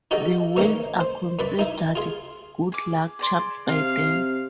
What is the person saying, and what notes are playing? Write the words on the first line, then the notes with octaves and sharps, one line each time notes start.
The whales are considered good luck charms by them.
D#4 F#4 G4 A4 D5 D#5
G#2 E3 A#3 C#4 D#4
C5
F#2 B4 D5 B5
D#4 E4
F4 G#4 C6
G#4 D6
G#4 D5 C6
C3 F5